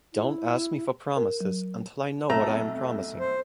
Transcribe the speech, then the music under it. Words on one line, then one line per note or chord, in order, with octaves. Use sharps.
Don’t ask me for promises until I know what I am promising.
E4
A#4
F#3
B1 F2 A3 A#5
C5